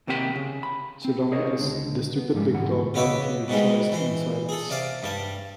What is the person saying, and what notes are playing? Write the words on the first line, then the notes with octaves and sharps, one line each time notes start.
So long as the stupid big doll burned he rejoiced in silence.
D#2 C3 A#3 G4 A#4 B5
C#3
B5
C4
G#4 A#4 C#5 D#5
C#2 D3
B3
G#2 D3 F3 G3 G#3
D2 G#2 E3 F#5
C#3 B3 D#5 E5 D6
G#2 B2 G3 G#3
E3 C5
G#4 A4
C3 D5 F5
G2 G3 A5